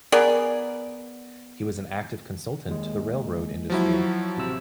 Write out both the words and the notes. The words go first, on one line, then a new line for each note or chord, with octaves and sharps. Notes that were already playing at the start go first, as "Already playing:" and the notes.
He was an active consultant to the railroad industry.
B3 G#4 A#4 D5
D#2 G#3
F3 F#3 E4
A1 C3 E6